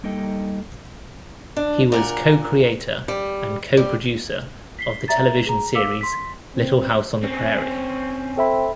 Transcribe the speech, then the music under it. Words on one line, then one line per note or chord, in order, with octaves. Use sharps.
He was co-creator and co-producer of the television series Little House on the Prairie.
G3 A#3 D#4 A4 D#5 G5
D4
A#2 A#4 F#5
G3
G3
B6 C7 G7
D5 E5 A#5 A6
G#4 A#5
A#4 F5 D6 E6 B6 G7
C6 B6
C4
C4 C#4
C4 A4 E5 B5